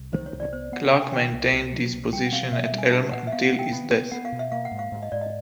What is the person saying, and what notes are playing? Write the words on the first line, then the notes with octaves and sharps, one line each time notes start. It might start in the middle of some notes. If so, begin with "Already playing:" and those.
Clarke maintained this position at Elm until his death.
Already playing: C2
D#3 C5
C#5
C2
D5
B3 C5
B3 F#5
C3 G5
G#5
D#3 G5
C2
C2
F#3
C2
G3 G5
F#5
C4 F5
B2 E5
E5
G3
G#5
D4 A5
A#2 F#5
E5
B3 F5
F#5
B3
G5
B3
B3
B3 F#5
F5
B2
E5
A#3 F5
F#5
G#2
F5
G#2
D#5
G#2 D5
D#5